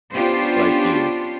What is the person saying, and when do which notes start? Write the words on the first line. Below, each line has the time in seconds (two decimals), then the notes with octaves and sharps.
I feel like yeah.
0.12 B3 C#4 D4 F4 G4 C5